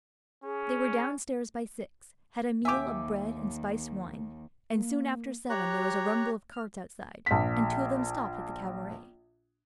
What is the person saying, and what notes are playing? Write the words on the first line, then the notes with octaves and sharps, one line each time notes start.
They were downstairs by six, had a meal of bread and spiced wine; and soon after seven there was a rumble of carts outside, and two of them stopped at the cabaret.
C#4 G#4
D#2 G4 E5 G#5 D6
A#3
G4 C#5 A#5 F#6
F6
A#1 B6